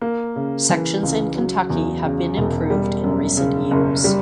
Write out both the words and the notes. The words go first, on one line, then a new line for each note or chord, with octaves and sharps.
Sections in Kentucky have been improved in recent years.
A#3
C#3
E3
C#2
F#3
E2
C#3
E1
G3
F#2
C#3
F#1
G3